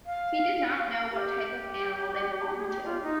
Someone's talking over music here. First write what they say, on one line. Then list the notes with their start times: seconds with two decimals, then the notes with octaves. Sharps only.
He did not know what type of animal they belonged to.
0.06 F5
1.11 G4
2.59 G#4
2.68 G4
2.85 F4
3.02 D#4